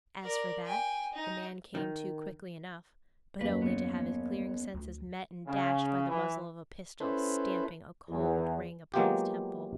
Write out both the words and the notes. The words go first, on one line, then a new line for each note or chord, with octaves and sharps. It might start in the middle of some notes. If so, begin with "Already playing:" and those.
As for that, the man came to quickly enough; but only to have his clearing senses met and dashed by the muzzle of a pistol stamping a cold ring upon his temple.
A#4 D5
G5 G#5
D#4
D#3
F#1 D#2 A#3 B4
B3 C#5
D2
C#3
E3
C#4 E4 A4 B4 C5
E2
F#3 G#3 A#3 B3 F4 G4